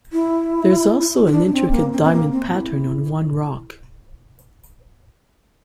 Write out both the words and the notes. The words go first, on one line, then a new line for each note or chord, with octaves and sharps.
There also is an intricate diamond pattern on one rock.
E4
E4
D4
D4
C4
A#3
C4
C4
A#3
C4
E4